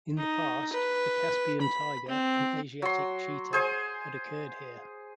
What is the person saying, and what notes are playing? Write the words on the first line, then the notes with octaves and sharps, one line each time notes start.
In the past, the Caspian tiger and Asiatic cheetah had occurred here.
D#4
B4
B5
C4
F#3 C6
G#4 C5 G#5